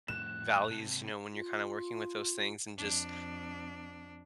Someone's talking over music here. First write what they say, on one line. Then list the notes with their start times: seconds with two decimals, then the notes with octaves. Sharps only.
values, you know, when you're kinda working with those things and just
0.08 F2 A2 F#6 E7
0.67 G#2 C3 A5
1.33 F4
2.77 F2 D4